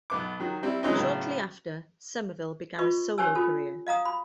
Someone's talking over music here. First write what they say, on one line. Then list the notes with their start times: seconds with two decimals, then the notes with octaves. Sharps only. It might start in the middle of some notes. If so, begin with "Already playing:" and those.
Shortly after, Somerville began a solo career.
0.10 B1 B3 D6
0.40 D#3 F#3
0.63 G3 C4 E4
0.83 E3 F#3 G#3 C4 C#4 D#4
0.95 A2 C#3 F#3 B3
2.78 F4 B4 D#5 C#6
3.18 C#4 G4 C5 C#5 G#5 E6
3.35 F4 A4 C5
3.87 D#5 F5 A#5 D#6
4.05 B5